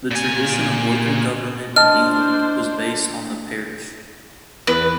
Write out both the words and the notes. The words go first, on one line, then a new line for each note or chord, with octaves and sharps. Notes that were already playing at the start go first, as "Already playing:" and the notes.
The tradition of local government in England was based on the Parish.
A#2 G#5
D4 C5 D#5 A5 F6
E2 B4